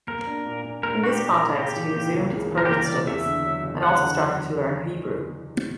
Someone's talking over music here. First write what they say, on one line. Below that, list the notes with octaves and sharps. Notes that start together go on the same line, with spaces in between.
In this context he resumed his Persian studies and also started to learn Hebrew.
A#3 A#4
D4
A#2
A#2
A#3 A#4
D4 F#4
G4
A#2
A#4
A#2
C#3 G4
E3
A#3
C#2
C#3
E3
A#4
G4
A#3 A#4
D5
C#2
E2 E5
D3
F#3
F#1
E2 F#5
D3
F#3